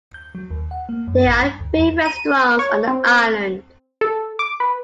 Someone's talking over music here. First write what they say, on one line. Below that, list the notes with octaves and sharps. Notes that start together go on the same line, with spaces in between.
There are three restaurants on the island.
G6
F#3
D#2
F#5
A#3
F#2
A1
G2
D2
E2
D#7
C#5
C4
A4
D6
B4